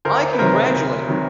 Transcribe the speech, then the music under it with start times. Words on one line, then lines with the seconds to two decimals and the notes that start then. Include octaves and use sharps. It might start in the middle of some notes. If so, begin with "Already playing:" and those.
I congratulate her.
0.05 D2 A#4 C5
0.33 B4
0.39 C3 D#3 F#3 A#4 C5
0.74 D2
1.08 C3 D#3 F#3